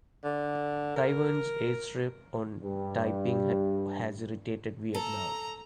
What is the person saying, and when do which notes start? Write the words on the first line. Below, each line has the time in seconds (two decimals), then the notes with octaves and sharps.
Taiwan's airstrip on Taiping has irritated Vietnam.
0.24 D3
0.96 A#4
2.63 G2 G3
4.95 A4 A#5